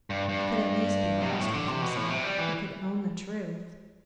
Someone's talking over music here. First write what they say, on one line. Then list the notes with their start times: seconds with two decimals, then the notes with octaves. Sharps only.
He could at least be honest with himself, he could own the truth.
0.10 G2
0.29 G2
1.21 C3
1.30 B2
1.40 A2
1.54 D3
1.68 C3
1.82 B2
1.96 A2
2.10 C3
2.24 G3
2.37 E3